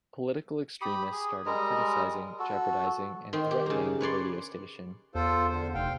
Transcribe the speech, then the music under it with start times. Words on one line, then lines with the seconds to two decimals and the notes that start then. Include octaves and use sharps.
Political extremists started criticizing, jeopardizing and threatening the radio station.
0.81 G4 B5 D#6
1.12 G#4
1.46 G3 G#3 A#4 D#5
2.39 F#4 A4
3.33 D#3 C4
3.51 G4
3.66 C#3 A#3
4.01 B4 C#5 D5 C6
5.15 E2 F4 A4 C5
5.50 D3 C5
5.75 F1 F5 G5